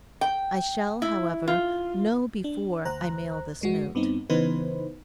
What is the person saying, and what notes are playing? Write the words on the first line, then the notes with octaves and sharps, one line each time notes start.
I shall, however, know before I mail this note.
G5
E4
F4
D4
D2 C5 A#5 F#6
G1 G#3 F#4
G2 B3 C4 D#4
C#3 E3 B3 D#4 B4 C5